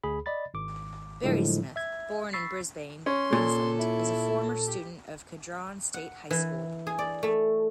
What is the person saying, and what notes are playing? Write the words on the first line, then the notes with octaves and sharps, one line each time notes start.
Barry-Smith, born in Brisbane, Queensland, is a former student of Kedron State High School.
D2 G#4 B5
D5 D#5 B5 A6
G#1 D6
A2 D3 F3 F#3 G#3 E4
E5 G#6
B5 C#6 E6 A6 B6 C7
C#4 C6
A#2 A4
E4
G4
F#5
E3
G#4
D5
A3